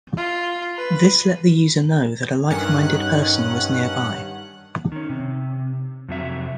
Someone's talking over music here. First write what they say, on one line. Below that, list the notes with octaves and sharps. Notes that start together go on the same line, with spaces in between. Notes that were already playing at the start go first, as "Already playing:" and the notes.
This let the user know that a like-minded person was nearby.
F4
B4
G2 D#3 C#4 F#5 F#6
D#3 C#4
C3
F2 C3 F#3 E5